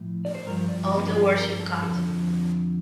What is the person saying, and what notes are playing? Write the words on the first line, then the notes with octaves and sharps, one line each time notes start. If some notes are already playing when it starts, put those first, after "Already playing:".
All the words you've got.
Already playing: A2 F3
D5
C5
G2 F3 A#4
D5
D#5
F4
A#4
A4
F2 D3 F3 A4